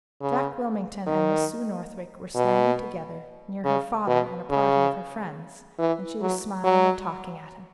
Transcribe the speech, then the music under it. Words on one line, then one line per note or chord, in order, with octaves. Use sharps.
Jack Wilmington and Miss Sue Northwick were standing together near her father and a party of her friends, and she was smiling and talking at him.
C#3
D#3
B2
C#3
B2
C#3
E3
F#3
F#3